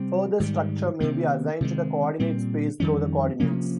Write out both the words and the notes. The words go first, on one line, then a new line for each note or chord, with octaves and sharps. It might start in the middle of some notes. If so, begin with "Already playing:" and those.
Further structure may be assigned to the coordinate space through the coordinates.
Already playing: C3 G3 C4
G#2 D#3 G3
C3 D#3 A#3
C3 D#3 G#3
A#2 G3 C4
F2 D#3 G3 C#4
C3 F3 A#3 C#4